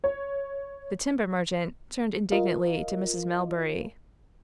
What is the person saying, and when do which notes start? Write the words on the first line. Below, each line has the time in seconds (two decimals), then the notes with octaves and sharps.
The timber-merchant turned indignantly to Mrs. Melbury.
0.04 C#5
2.32 F4 A#4 D#5 F5